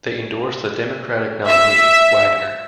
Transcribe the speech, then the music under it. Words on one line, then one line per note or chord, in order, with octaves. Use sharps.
They endorsed the Democratic nominee Wagner.
E5